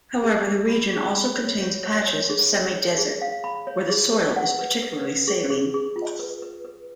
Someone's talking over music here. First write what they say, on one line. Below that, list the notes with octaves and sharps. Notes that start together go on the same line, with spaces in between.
However the region also contains patches of semi-desert where the soil is particularly saline.
G#4
G#4
B5
G#4
B5
C#5
C#5
C#5
C#5
G#4
C#5
C#5
G#4
F5
B5
C#5
G#4
B4
F#5
B4
B4
B4
G#4
G#4
G#4
F4
B4
B4
B4